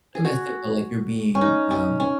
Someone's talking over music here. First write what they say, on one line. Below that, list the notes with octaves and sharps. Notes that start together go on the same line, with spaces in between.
not messed up, but, like, you're being, um,
G#4
F#4
C#4
D#4
C#4
C#4